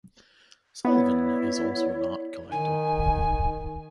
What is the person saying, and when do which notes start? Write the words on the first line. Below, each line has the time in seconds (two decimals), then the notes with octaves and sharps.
Sullivan is also an art collector.
0.85 B3 E4 C#5 D5
2.52 D#3 G#5